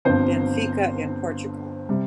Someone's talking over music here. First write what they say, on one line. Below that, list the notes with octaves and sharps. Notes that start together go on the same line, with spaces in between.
Benfica in Portugal.
G1 G2 F3 C4 C5
C3 G3